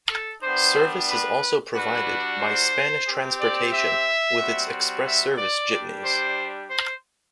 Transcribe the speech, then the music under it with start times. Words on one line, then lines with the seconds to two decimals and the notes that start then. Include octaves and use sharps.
Service is also provided by Spanish Transportation with its Express Service jitneys.
0.10 A4
0.42 G3 B3 D4 C5
1.08 B4
1.74 G3 D4 F#4 B4
2.41 C5
3.07 C4 G4
3.40 D5
3.72 E5
4.38 G3 C4 F#4
5.04 E5
5.38 D5
5.71 G3 D4 G4
6.04 C5
6.70 C5